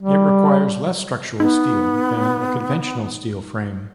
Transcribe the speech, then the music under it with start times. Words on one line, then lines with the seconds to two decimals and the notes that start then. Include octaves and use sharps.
It requires less structural steel than a conventional steel frame.
0.03 G3
1.40 B3 D#4